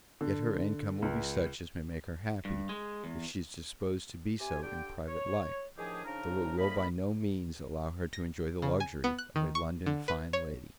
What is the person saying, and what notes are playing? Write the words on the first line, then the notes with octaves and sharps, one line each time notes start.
Yet her income will be such as may make her happy, if she is disposed to be so in private life; though it will by no means allow her to enjoy the luxury of a London fine lady.
D3
C#2
G2
G#3
E2
C3 G4 G#5
D3 G4 G5
C#5
A2 D#3 F3 D4 G4 G#4
C#3 F3 D4 D#4 A#4
E2 A2 A#3 A#4 D#5 B5
A#6
C#3
G#5
B3
F#6
D#3
C#6
D3
B4
C#5